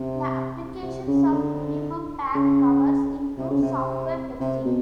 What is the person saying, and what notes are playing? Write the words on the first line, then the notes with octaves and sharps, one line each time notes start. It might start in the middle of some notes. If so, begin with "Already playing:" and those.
The applications of minimum path covers include software testing.
Already playing: C3
C3
C#3
D3
C#3
C3
C#3
C3
C3
B2